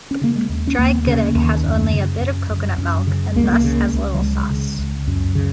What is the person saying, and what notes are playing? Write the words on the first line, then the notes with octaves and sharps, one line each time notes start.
Dry gudeg has only a bit of coconut milk and thus has little sauce.
C#4
C#3 A#3
G#3
D#2
C#4
D#2 A#3
C#3
D#2
F#2
C#3
F#2
F#2
F#2
C#3
C#2 A#3
G#3
A#3
C#3
C#2
F#3
C#3 G#3
C#3
C#2
F#2
C#3